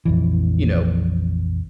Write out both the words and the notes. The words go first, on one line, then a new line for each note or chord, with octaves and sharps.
you know,
A#1 F2 E3